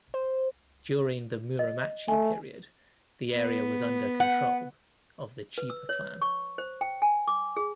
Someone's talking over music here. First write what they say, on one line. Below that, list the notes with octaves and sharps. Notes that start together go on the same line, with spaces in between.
During the Muromachi period, the area was under control of the Chiba clan.
C5
D#5
A3 G#5
B3
F#5
B4
E6
C#5
C#6
C5
G5
G#5
D6
G#4